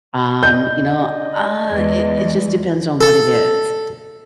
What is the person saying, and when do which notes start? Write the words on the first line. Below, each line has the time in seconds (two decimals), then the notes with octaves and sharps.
um, you know, ah, it it just depends on what it is,
0.43 D5 D#5 G6
1.69 E2 G#3
3.01 A4